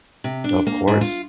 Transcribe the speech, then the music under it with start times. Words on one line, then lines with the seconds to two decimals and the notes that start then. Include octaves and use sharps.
Of course.
0.24 C3
0.44 D4
0.67 A#3
0.88 G#2
1.01 F4